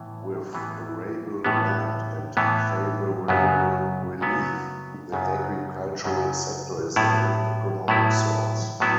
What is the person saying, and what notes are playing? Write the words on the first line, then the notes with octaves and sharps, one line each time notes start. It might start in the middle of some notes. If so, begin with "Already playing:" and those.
With arable land and favourable relief, the agricultural sector is the main economic source.
Already playing: A2 E3 B3
A2 E3 B3
A2 E3 B3
A2 E3 B3
F#2 C#3 F#3 B3
F#2 C#3 F#3 B3
F#2 C#3 F#3 B3
F#2 C#3 F#3 B3
A2 F#3 B3 E4
A2 F#3 B3 E4
A2 F#3 B3 E4